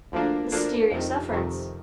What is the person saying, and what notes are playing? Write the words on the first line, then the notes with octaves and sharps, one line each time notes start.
Mysterious efforts!
D2 D3 F3 A#3 D4
D2 D3 F3 A#3 D4
F2 C3 D#3
F2 C3 D#3